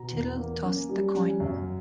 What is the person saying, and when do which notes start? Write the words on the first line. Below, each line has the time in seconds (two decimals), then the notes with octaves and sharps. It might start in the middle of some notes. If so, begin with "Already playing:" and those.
Tittle tossed the coin.
Already playing: B2 A#5
0.12 E2
0.37 A#3
0.62 C#4
0.89 G3
1.14 C#4
1.40 F#2